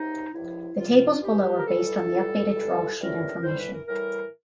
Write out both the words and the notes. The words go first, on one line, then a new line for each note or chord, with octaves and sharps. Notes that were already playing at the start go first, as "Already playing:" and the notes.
The tables below are based on the updated draw sheet information.
Already playing: C#2 C3 D#4
C#2 C3 F3 E4
C#2 C3 F3 F4
G2 E3 G3 G4
B4
A#4
G2 E3 G3 A4
G2 E3 G3
G2 E3 G3
A2 E3 G3 A#4
A2 E3 G3 C5
B4
A#4
A2 E3 G3 A#4